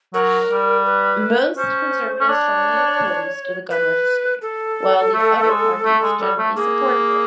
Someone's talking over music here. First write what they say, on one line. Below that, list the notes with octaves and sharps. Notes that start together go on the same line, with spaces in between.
Most Conservatives strongly opposed the gun registry, while the other parties generally supported it.
F#3 A#4
G3
B4
C#4 C5
C#4
D4 C#5
B4
A4
A3
A3
G#3
A3
G#3
G3
A3
A#3 G#4